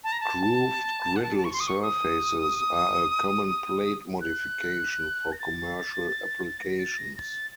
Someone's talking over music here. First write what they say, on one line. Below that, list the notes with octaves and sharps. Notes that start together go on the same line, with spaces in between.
Grooved griddle surfaces are a common plate modification for commercial applications.
A5
A#5
A5
F#5
A5
A5
C#6
C6
D#6
C#6
D#6
F#6
A#6
A6
A#6
A6
A#6
A6